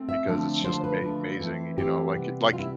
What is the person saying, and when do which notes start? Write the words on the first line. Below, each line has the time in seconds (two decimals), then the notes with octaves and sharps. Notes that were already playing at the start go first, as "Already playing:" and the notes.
because it's just may mazing, you know, like, it like
Already playing: A3 C4
0.09 E5
0.27 D3 F3 A3 C4
0.64 D3 F3 A3 C5
0.84 B4
1.02 D3 F3 A3
1.40 E3 A3 C4
1.78 E3 A3 C4 G4
2.15 C3 G3 B3
2.52 C3 G3 B3 F4
2.59 E4